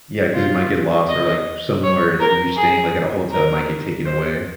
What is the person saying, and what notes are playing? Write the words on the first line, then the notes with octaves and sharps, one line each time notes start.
Yeah, 'cause it might get lost or, like, somewhere, like, if you're staying, like, at a hotel, it might get taken away.
F4
D#5
C#5
A#4
G#4
A#4
C5